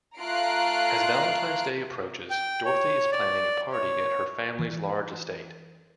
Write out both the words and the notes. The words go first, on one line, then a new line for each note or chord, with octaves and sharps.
As Valentine's Day approaches, Dorothy is planning a party at her family's large estate.
A3 F4 A#5 F#6 C7 D7
G5
C#5
D5
C#5
E3